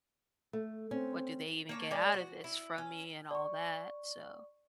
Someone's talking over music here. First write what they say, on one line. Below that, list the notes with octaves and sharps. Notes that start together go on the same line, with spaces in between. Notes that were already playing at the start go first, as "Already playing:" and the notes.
"What do they even get out of this from me?" and all that, so,
A3
C4 C#4
A#3 C#5 A5
G#3 A#3 D5
F#4
E4
C#4
D5 C#6